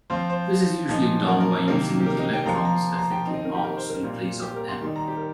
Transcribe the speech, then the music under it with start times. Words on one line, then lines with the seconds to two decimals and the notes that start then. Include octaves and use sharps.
This is usually done by using the electrons' effective mass in place of "m".
0.10 F3 C4 F4 C5
0.30 C5
0.89 A#2 F3 D#4
1.28 A#4
1.40 A#4
1.68 C3 D#3 A#3 A#4
2.00 G4
2.06 A#4
2.19 D#5
2.33 G5
2.46 F3 A#3 F4 A#5
2.55 C6
2.65 A#5
2.94 C6
2.99 A#5
3.11 G5
3.25 D#3 C4 D#4
3.34 D#5
3.45 A#4
3.55 G4
3.64 A#4
3.77 C5
3.90 A#4
4.03 A#2 G3 C4 F4
4.42 G4
4.56 A#4
4.69 C6
4.81 D#3 G3 D#4 C6
4.96 A#5
5.08 G4
5.17 A#4